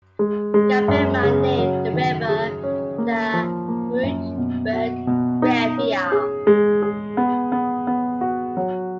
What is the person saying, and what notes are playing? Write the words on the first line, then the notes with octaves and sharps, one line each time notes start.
Gabbema named the river the 'Groot Berg Rivier'.
G#3
G#3
F#2
C#3
F#3
D#3
G#4
C#4
A#3
F3
A#3
F#2
B2
F#4
B2
D#4
C#4
G#4
G#3
G#4
B3
B3
B3
F#4
F#3